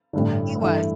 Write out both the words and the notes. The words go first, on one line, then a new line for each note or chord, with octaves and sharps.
he was.
A1 G2 D3
G2 E3 A3